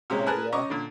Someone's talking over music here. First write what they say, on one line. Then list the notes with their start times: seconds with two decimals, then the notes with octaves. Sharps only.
Oh, yeah?
0.10 C3 G#3 A#3 C#4
0.26 G#4 A#4 B4 G#5 A5 F#6
0.52 C#2 C#4 D#5 A#5 C#6 D6
0.70 A#2 D3